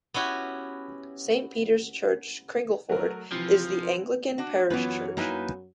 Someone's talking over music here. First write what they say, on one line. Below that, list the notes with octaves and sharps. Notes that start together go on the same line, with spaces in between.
Saint Peter's Church, Cringleford is the Anglican parish church.
B3 C#4 E4 F#4 G4
F#3 A3 A#4
C3 E3 F3
D4 F#4
F#2 E3 F#3 B3 C#4 F4 B4
A#3 D#4 E4 B4 G#5